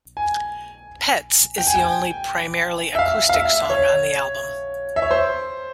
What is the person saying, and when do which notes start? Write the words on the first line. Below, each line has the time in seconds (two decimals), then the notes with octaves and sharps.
"Pets" is the only primarily acoustic song on the album.
0.17 G#5
1.58 G5
1.67 G#5
1.75 G5
2.95 E5
2.99 F5
3.29 F5
3.34 E5
3.70 C#5
4.96 E5
5.02 C#5
5.11 C5